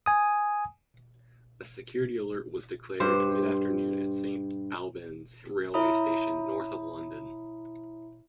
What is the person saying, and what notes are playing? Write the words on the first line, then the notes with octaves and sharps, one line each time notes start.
A security alert was declared, mid-afternoon, at Saint Albans railway station, north of London.
G#5 D#6
G2 C5
E4 C#5 E5 A#5 B5 D#6